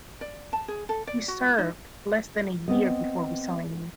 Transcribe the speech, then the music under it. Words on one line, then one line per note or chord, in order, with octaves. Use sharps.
He served less than a year before resigning.
D5
A5
G#4
A4
D5
F#4
D#4
B3 C4 D#5